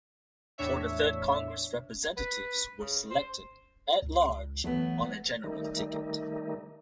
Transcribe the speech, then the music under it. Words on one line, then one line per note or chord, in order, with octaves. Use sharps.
For the third Congress Representatives were selected At-large on a general ticket.
E2 A2 D4 C#5 E5
B4
C#3
C5
C#2
E3 F#3 A3 B3
D#3 G3 A3 D#4